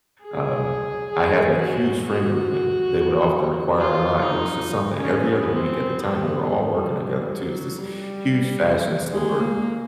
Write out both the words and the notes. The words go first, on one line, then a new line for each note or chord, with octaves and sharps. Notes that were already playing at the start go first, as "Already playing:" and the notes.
Um, I had a huge friend group, and they would often require a lot. It was just something every other week at the time, we were all working together too. It's this huge fashion store
G#4
G#4
F#4
F#4
F4
D#4
C#4
B3
C4
B3
G3
F#3
G3
G#3
A#3